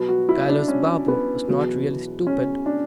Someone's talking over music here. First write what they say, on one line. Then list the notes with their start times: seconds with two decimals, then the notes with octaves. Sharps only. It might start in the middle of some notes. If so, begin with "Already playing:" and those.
Kailas Babu was not really stupid.
Already playing: B2 F#3 B3
0.09 F#4
0.29 E4
0.49 D4
0.68 C#4
1.08 B3
1.48 E2 B2 F#3 B3
2.27 C#4
2.66 D4